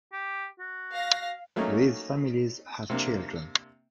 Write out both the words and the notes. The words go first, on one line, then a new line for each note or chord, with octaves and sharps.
These families have children.
G4
F#4
F5 A#6
F#3 A3 A#3 C#4 D#4
C3 A#3 D4